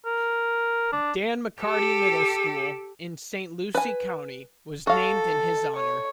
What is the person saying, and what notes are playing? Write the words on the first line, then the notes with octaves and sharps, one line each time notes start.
Dan McCarty Middle School, in Saint Lucie County, was named in his honor.
A#4
D4
G4 A4
B4 G#5
F#4 A4 F5
C#5